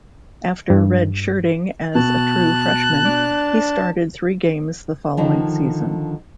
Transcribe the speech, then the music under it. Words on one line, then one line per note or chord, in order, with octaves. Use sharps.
After redshirting as a true freshman, he started three games the following season.
G2
B2 A5 F#6
D4
D3 D#3 F3